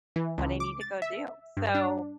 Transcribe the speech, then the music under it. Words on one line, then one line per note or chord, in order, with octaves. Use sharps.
what I need to go do. So
E3
C#2
D6
A6
E5
G2
D4